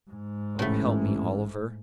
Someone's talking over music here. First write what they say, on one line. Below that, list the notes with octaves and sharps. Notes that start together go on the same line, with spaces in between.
"Oh help me, Oliver."
G#2
A1 A2 A3